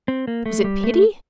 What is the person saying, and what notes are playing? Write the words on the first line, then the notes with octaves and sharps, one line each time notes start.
Was it pity?
C4
A#3
A3
G3
A3